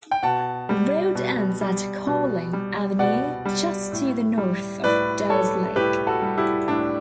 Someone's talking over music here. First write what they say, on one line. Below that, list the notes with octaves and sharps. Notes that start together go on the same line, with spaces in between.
The road ends at Carling Avenue, just to the north of Dow's Lake.
G5
B2 F#5 A5
G3
B2
G3
B2
G3
B2 D5 F#5
G3
A2
G3
A2 B4 D5
G3 A4 C#5
A2 G4 B4
F#4 A4
G3
E4 G4
A2 D4